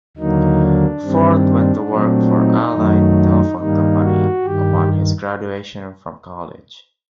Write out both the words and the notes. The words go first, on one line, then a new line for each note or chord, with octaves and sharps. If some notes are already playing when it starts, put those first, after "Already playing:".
Ford went to work for Allied Telephone Company upon his graduation from college.
D#2 D3 F#3 A#3 D#4
D4
G2 D#3 G3 C4
A#2 F#3 A3 C4
D#4
F#2 D#3 F#3 A3
G2 D#3 G3 A#3 D#4
F#4
G2 D#3 G4